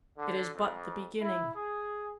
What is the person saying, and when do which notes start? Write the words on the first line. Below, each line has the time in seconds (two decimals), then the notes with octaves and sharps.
It is but the beginning!
0.17 D3
0.54 F2
1.21 E4
1.55 G#4